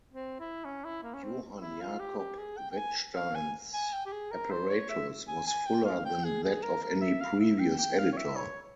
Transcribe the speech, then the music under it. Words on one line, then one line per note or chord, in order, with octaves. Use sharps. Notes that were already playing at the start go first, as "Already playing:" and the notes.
Johann Jakob Wettstein's apparatus was fuller than that of any previous editor.
C4
E4
C#4
E4
A#3
C#4
C4
E4
F4
G4
G4
G#4
G5
G5
G#5
F5
G#5
G#5
G5
G4
G#4
A#4
C5
C#5
E5
G#5
G#5
G5
F5
G5
G#4
G#4
A#4
A#4
E5
F5
E5
G5
G5
F5
C#5
E5
C#5